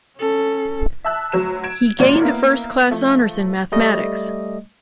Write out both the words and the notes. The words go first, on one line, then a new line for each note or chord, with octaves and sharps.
He gained a First Class Honours in Mathematics.
C#4 A4
E5 A5 E6 F#6
D2 F#3 E7
G#6 D7 E7
G#1 A#2 C#5 D5 C6
A#3 B3 E4 A#4
F3 A3
G3 A3 D#5